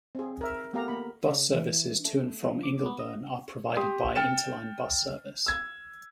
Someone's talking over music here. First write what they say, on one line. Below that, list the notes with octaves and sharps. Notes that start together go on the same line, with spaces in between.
Bus services to and from Ingleburn are provided by Interline bus service.
C4 G#4
A#4 E5
A3 B3 G4 A#4 F5 A#5
A#3 B5
C#3
E3
A3
F3
D6
B3
D#5
G4 C6 D#6
G5 F6 A6 C#7 E7
E6 G#6